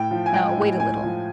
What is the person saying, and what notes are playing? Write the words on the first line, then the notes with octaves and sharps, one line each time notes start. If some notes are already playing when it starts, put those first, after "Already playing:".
No, wait a little.
Already playing: A2 G5
F3
G#5
G#3 G5
A2
A2 G#5
F3